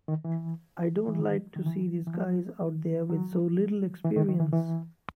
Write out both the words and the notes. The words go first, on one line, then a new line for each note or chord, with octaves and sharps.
I don't like to see these guys out there with so little experience.
D#3
E3
E3
D#3
D#3
E3
E3
F3
F#3
E3
D#3
D#3
E3
E3